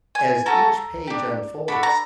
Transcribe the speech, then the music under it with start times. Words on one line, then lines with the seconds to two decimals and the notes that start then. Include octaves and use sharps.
as each page unfolds,
0.15 G#5
0.46 A3 C#4 F#4 A4 A#5
1.07 D4 G4
1.68 D4 F#4 A4 B5
1.83 A#5